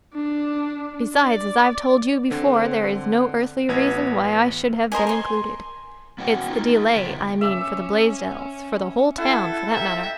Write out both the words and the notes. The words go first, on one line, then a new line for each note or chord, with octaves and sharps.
Besides, as I've told you before, there is no earthly reason why I should have been included. It's the delay, I mean, for the Blaisdells--for the whole town, for that matter.
D4
D5
D3 C4
A1 B3 G#6
A#4 C5 D#5 G#5
G#5 C6
B3 C#4 F#4 C#5 F#5 G5
D#4 F4 A4
C#3 B3 F4 E5 G5
C#4 E5 D6 E6
E4 A4 F#5
E5 G5 A#5